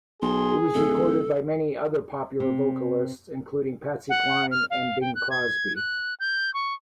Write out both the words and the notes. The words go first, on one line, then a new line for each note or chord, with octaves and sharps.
It was recorded by many other pop vocalists, including Patsy Cline and Bing Crosby.
B1 G#4 C6
D1 A4
C3
F#5
F6
F5
G5
F#6
G#6
F#6
G6
C#6